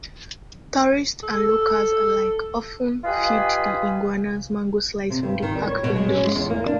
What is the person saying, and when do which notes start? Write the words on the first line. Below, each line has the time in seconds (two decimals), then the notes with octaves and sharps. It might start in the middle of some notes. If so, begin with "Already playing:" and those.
Tourists and locals alike often feed the iguanas mango slices from park vendors.
1.23 A4
3.04 F4 G4 B4 D#5 F5 G#5
5.10 C3
5.23 G2
5.42 D#3
5.55 G3
5.67 C#5
5.83 B2
5.95 G#3
6.08 C#4
6.24 G#3
6.36 E2
6.50 A#3
6.66 D4